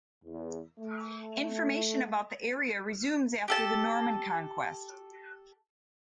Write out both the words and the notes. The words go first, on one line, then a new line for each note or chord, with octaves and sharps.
Information about the area resumes after the Norman Conquest.
E2
A3
G4 A4 A5